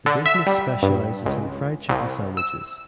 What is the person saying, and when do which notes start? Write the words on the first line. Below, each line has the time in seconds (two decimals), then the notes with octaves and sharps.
The business specializes in fried chicken sandwiches.
0.06 D3
0.26 E5
0.46 G3
0.83 G2
1.26 C#2
1.89 C2
2.37 E6